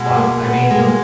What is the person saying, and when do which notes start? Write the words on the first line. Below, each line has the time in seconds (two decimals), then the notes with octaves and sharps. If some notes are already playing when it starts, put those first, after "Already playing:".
Wow, I mean,
Already playing: B2 G#3
0.17 A#3
0.44 B3
0.71 G#3
0.78 A#3
0.87 G#3